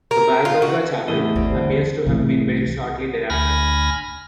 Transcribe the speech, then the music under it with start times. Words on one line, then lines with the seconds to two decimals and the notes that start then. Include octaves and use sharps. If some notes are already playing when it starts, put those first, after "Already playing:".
The "Walburga Chapel" appears to have been built shortly thereafter.
0.11 A#4
0.45 F4
0.62 F#4
1.08 E2 A2 A3 E4 D#5
1.36 G#1 D#2 G3 C4
1.52 D3
2.07 C2 A2 E3
3.30 D2 G#5 B5 F6 A#6